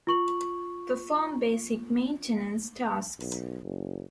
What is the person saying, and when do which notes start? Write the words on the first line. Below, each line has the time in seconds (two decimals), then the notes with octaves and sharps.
Perform basic maintenance tasks.
0.07 F4 C#6 F#7
3.19 B1
3.62 F#1